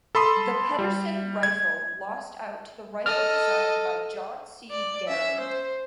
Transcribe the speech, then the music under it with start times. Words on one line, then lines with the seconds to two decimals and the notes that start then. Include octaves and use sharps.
The Pedersen rifle lost out to the rifle designed by John C. Garand.
0.15 A4 B5 C6 D#6
0.78 G3
1.43 G#6
3.06 A4 D#5 F6
4.71 D5
5.07 C#4 E5
5.40 C5